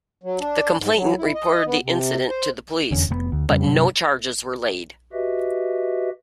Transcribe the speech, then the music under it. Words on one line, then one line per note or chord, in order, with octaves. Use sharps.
The complainant reported the incident to the police, but no charges were laid.
F#3
D4
G#2
F#3
E4
D#5
B3
C3
C5
F1 E2 D3 C#4
F1 B2 B3
D2
F2 C#3 G3 C#4
G1 C3 F#3 D4
F#4 G4 B4 D#5 E5